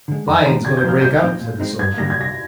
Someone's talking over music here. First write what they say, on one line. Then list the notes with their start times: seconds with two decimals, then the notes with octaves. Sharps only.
"Flying's going to break out," said the soldier.
0.08 D3 G#3
0.27 F2 A#5
0.46 D#3 G#3 D4 A#5
0.65 D3 G#6
0.77 G6
0.84 F3 A#3 F6
1.01 C2 G6
1.22 A#2 F3 C4 D#4
1.40 A#2
1.60 G#3 C4 D#4
1.79 G2 G#6
1.98 D3 G3 A#3 A#6
2.10 G#6
2.16 C2 A#6